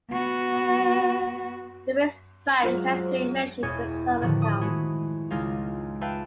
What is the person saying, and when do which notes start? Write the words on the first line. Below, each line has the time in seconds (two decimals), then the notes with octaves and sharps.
The Riggs Bank has been mentioned in some accounts.
0.11 B3 F#4
2.63 F#3 G#3 F4 C5
3.63 E1 E2 G#4 C#5
4.21 A2 D3 D#3 F3 F#4
4.42 D#6
4.61 G#3 A3 B3 E4 F#4
5.30 C#2 G#3 D#4 F4 A#4 F5
6.01 B4 E5 F5 G5 A5